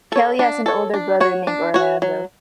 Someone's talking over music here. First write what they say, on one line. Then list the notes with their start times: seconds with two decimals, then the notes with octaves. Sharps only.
Kelly has an older brother named Orlando.
0.12 A4 C#5
0.39 D4
0.66 A4 C#5
0.94 D4
1.20 F#4 C#5
1.47 D4
1.74 F#4 C#5
2.02 F#3